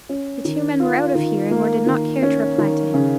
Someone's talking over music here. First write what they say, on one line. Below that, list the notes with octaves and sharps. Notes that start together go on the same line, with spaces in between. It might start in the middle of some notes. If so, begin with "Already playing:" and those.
The two men were out of hearing, or did not care to reply to him.
C#4
D#3
F4
D#3
A#3
D#3
C#4
D#3
C#3